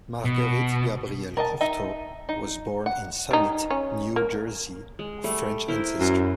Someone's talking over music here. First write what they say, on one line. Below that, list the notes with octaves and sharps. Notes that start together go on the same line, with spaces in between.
Marguerite Gabrielle Courtot was born in Summit, New Jersey of French ancestry.
B2
A#4 D#5 A5
D#4 D#5 E5
D#4
F#5
G3 D#4
C#4
A#3
G#3
G3 A3
E4 A#4 C5
F#2